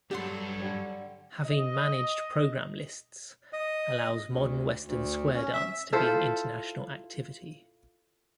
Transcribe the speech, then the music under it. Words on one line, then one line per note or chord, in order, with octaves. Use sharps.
Having managed program lists allows modern Western square dance to be an international activity.
G2 F#3 D4 G4 A4 F#5 C6
D3 G3 C#5
D#5
D#5
D2
D2
C#4
E5
E4 F4 A4 C5